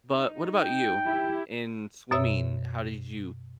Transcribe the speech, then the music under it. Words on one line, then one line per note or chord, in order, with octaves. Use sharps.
But what about you? In swimming, how did you
D#4
G5
E4 G4
F#2 B2 C#5 E5 D#6 E6